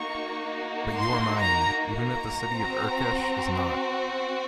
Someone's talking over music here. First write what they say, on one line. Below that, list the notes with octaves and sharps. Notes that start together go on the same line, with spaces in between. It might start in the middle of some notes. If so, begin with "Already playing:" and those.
But you are mine, even if the city of Urkesh is not.
Already playing: A#3 D#4 F#4 C#6
C6
A#5
A#5
C4 F#4